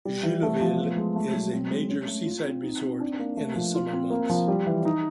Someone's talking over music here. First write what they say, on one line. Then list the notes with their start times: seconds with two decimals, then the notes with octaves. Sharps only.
Jullouville is a major seaside resort in the summer months.
0.05 G3
0.23 E3
0.42 A3
0.61 F3
0.78 B3
0.97 G#3
1.16 A3
1.34 F#3
1.53 C4
1.71 G#3
1.89 C#4
2.08 A3
2.26 F4
2.44 C4
2.63 D#4
2.82 C4
3.00 D4
3.19 A#3
3.37 A3
3.56 F3
3.75 F4
3.93 C4
4.10 A#3
4.29 F3
4.48 G3
4.66 E3
4.85 D#4